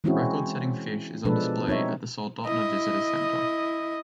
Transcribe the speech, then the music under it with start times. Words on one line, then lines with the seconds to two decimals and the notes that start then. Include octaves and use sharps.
The record-setting fish is on display at the Soldotna Visitor Center.
0.04 E3 G#3 C4 C#4 E4 F#4
1.25 B2 F3 G#3 D4 A4 B4
1.67 C4 D#4 C#5 E5
2.45 E4 D#5